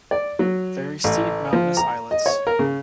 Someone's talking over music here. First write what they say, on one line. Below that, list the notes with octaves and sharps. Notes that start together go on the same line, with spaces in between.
Very steep mountainous islets.
D5
F#3
A1
F3
A#5
D#5
C#5
A#4
C#3